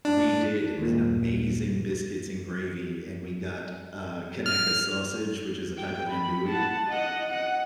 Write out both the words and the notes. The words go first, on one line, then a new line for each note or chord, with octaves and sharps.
we did an amazing biscuits and gravy, and we got, uh, Conecuh sausage, which is a type of Andouille.
D4
D#2 A#2
F6
G5
B5
F#5 A5
D#5 F#5
F#5